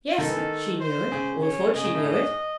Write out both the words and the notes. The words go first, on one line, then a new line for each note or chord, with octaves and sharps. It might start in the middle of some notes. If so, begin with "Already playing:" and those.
Yes, she knew it, or thought she knew it.
D#3 A4
E3
D#3
C5
C#3
C#5
C#3 D#5
C#3
A2
G#2 D#5